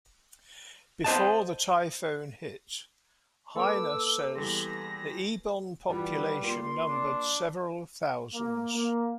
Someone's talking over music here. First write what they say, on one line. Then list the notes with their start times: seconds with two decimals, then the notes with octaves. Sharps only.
Before the typhoon hit, Heine says, the Ebon population numbered several thousands.
1.04 C5 D#5 A5
3.56 A#3 A4 B4 D6 E6
4.35 E2 G3 C6 A#6
5.89 E3 G3 B3 F4 F#4
6.42 A#3 F4 C6
6.87 D4
8.33 A#3
8.73 A#3